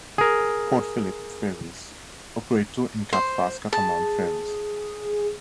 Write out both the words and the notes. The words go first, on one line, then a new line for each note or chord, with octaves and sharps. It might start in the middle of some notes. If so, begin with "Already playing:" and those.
Port Phillip Ferries operate two Incat fast catamaran ferries.
G#4 A#4
C5
G#4 A5